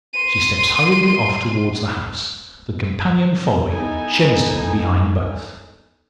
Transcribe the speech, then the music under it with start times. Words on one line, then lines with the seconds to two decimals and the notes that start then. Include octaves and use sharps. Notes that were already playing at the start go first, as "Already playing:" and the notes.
She steps hurriedly off towards the house, the companion following, Shenstone behind both.
0.13 C6 D#7
3.70 B3 D#4 E4 A4 G#5